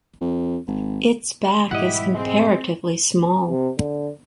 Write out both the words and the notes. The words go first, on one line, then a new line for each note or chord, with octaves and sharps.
Its back is comparatively small.
F2
G#1
G#2 B2 E3 G3 E4 G4 D#5 F#5
G#3 C4
C3
D3